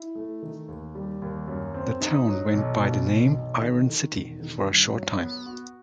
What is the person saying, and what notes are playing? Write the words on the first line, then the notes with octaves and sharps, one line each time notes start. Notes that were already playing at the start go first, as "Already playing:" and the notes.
The town went by the name "Iron City" for a short time.
Already playing: E4
A3
D#3
D#2
G3
D#2
F#2
C4
D#4
F#3
B1
B2
B1
B1
D#3
D#3
E1
D#3
G2
F#3
B3
F#4